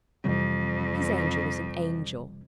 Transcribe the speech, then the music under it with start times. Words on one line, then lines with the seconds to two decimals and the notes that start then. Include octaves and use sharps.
His angel was an angel.
0.24 F2 C3 E3 G3